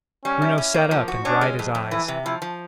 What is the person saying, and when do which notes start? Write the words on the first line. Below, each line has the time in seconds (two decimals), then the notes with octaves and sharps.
Bruno sat up and dried his eyes.
0.24 G3 C#4
0.42 E4
0.58 C#4
0.74 A#3
0.91 F3
1.08 F#4
1.24 C#4 D4
1.41 G#3
1.59 F2
1.75 F2
1.91 E3 E4
2.08 C3
2.25 F3 E4
2.42 F3